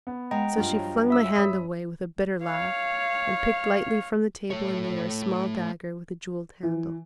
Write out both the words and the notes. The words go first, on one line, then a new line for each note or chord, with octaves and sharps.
So she flung my hand away with a bitter laugh, and picked lightly from the table anear a small dagger with a jewelled handle.
B3
G#3 B4 D#5 F#5 G5 A#5
G2 F4
F3 F#3
E5 E6
F#2 B5 D#6 B6
C#5 F5
A3 C#5
E3